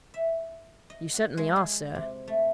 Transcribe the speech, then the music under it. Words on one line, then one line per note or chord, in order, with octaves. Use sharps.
"You certainly are, sir."
E5
D#5
F#5
G#3
G#4
C3
A3